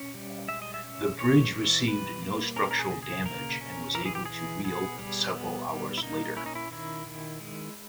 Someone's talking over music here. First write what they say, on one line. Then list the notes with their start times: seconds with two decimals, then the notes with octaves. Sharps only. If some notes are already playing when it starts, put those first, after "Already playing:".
The bridge received no structural damage and was able to reopen several hours later.
Already playing: C#4
0.15 G3
0.49 G#3 E5
0.62 D#5
0.74 E5
0.84 C#4
1.18 E3 C#5
1.52 E3
1.87 G3 B4
2.22 A#3
2.56 C#4 A#4
2.71 A#4
2.79 G#4
2.91 C#3
3.03 G#4
3.26 A#3 A#4
3.61 C#4
3.94 E3 A#4
4.05 G#4
4.15 G4
4.26 E3 G#4
4.64 B3 G#4
4.99 G3
5.34 B3
5.68 G3
5.98 E4
6.02 A#3 D#4
6.37 C#4 E4
6.46 D#4
6.55 E4
6.71 D#3 E4
7.06 D#3
7.40 G#3